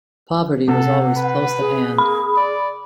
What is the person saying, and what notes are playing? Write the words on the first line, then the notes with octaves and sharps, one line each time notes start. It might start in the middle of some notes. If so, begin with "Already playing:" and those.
Poverty was always close at hand.
C3 A4 F#5
B4
G#4
A#3 B5
D5